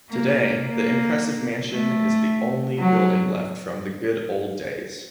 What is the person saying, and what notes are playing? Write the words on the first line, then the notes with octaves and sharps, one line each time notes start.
Today the impressive mansion is the only building left from "the good old days".
A#3
A#3
A3
F#3